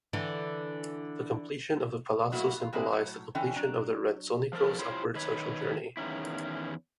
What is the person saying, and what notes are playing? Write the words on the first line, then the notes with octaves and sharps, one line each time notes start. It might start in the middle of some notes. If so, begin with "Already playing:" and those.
The completion of the palazzo symbolised the completion of the Rezzonico's upward social journey.
D3 E3
B2 F#3 A3 A#3 E4 F#4
F4
E3 G#3 A#3 C4 D4 E4
A2 F#3
D3 E3 C#4 G5
F#3 D4 A#5
F3 A4 A#4
E4 F4 G4 C5 C#5
D#3 B4 C#5
E2 D#3 C#4 E4